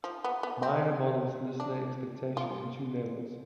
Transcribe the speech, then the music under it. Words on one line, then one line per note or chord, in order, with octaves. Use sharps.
Meyer models listener expectation in two levels.
F3
B3
B3
C4
D4
F4